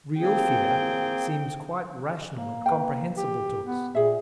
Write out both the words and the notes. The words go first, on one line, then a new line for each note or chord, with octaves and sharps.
Real fear seems quite rational and comprehensible to us.
A#3 C4 G#4 G5
A#3
B4 G5
G4
B3
A#2 G#4 E5